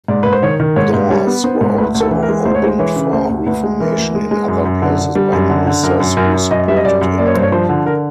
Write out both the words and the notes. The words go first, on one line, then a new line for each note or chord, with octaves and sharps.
Doors were also opened for reformation in other places by ministers who supported him.
G#2 D5
G#2 B4
C5
D#3 C#5
D#3
G#2 C#5
G#2
G3 C#5
B3
B3 C5
G#2
D2 B4
D2
A4
E3
A#4
G#3
D2 C5
C#5
G#3 C5
E3 C#5
C#3
D2 C5
D2
D2 B4
G#3
E3 A#4
D2
G#3
G#3
F#2
F#2
D3
D3
G3
F#2
D3
D3
F#2 A#4
F#2
F#2 A#4
F#2
F#2 D#5
G3 E5
D#5
F#2 D5
F#2
A#3 D5
C#5
G2 C5
C#5
F3 C5
D3
D3 A#4